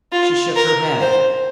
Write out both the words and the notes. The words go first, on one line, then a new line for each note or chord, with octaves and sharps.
She shook her head.
F4
A#4
C5